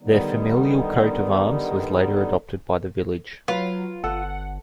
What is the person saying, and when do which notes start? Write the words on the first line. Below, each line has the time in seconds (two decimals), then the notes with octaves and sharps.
Their familial coat of arms was later adopted by the village.
0.02 D3 D#3 G3 B3 D#4
3.48 F#3 F4 B4
4.04 G1 A4 F#5